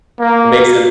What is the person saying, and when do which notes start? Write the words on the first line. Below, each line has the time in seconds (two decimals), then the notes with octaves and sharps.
It makes it
0.19 A#3